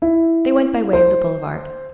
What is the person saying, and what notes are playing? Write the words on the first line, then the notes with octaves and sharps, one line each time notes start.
They went by way of the boulevard.
E4
C5